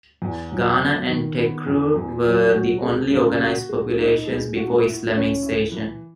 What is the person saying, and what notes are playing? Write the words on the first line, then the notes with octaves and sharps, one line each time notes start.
Ghana and Tekrur were the only organized populations before Islamization.
E2
F#3
B3
D#3
B3
E2
E2
F#3
F#4
G#3
C#3
F#4
G#3
D#4
G#3
F#4
E4
C#4
E4
E3